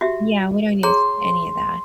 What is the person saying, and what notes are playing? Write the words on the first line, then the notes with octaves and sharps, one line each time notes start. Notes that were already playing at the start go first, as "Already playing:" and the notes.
Yeah, we don't use any of that.
F#4 G4 E5
G#4 C#5 A#5 C6